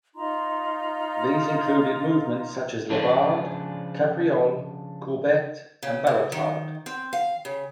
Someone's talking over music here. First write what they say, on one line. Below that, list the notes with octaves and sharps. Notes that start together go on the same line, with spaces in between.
These included movements such as levade, capriole, courbette, and ballotade.
D#4 F4 A#5 C6
C#3 F3 D4
C#3
C#3
D#3
C4
F5
C#3